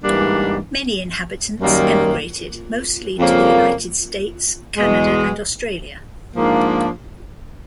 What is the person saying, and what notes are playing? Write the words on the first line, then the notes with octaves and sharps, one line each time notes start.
Many inhabitants emigrated, mostly to the United States, Canada and Australia.
G#2 E3 G3 A#3 D4
F#2 D#3 G3 A#3
F2 C#3 F3 A#3
E2 B2 G#3
G#2 F3 A#3 D4